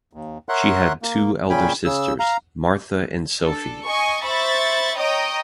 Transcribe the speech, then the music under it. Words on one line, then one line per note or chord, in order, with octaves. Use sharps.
She had two elder sisters, Martha and Sophie.
D#2
A#4 C#5 E5 F#5 C6 F#6
A#3
A#2 C#3 C#4 G5 G#5 B5
C#3 E6
F5 A#5
D4 A4
D#5 G#5 C#6
C5 E5 B5 C#6 A6
C#5 D#5 G5 A#5 D#6